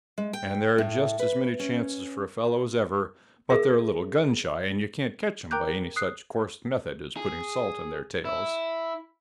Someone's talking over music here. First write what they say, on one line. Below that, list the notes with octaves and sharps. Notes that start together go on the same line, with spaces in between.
And there're just as many chances for a fellow as ever, but they're a little gun shy, and you can't catch them by any such coarse method as putting salt on their tails.
G#3
G5
A2
B4
C#4
G#4 A#4 E5
A#4 G5 A#5 D6 F#6 G6
D#6 F#6 C7
G#4
E4